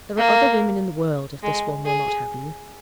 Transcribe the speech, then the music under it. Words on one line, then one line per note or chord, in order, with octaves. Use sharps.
'There are other women in the world, if this one will not have you.'
A#3
G#3
G#4